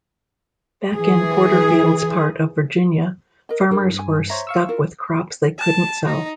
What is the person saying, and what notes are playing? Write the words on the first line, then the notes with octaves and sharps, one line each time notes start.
Back in Porterfield's part of Virginia, farmers were stuck with crops they couldn't sell.
E3 G#4
A#4 D#5
G2 G#4 A#4
G#5
C5 C#5 E5 A#5
F5 C#6 E6
E4 F4 A#4
A5
D#4